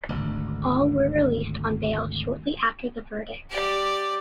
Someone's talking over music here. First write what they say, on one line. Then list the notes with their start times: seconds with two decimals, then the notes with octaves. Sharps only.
All were released on bail shortly after the verdict.
0.09 G#1 D2
3.50 G4 D5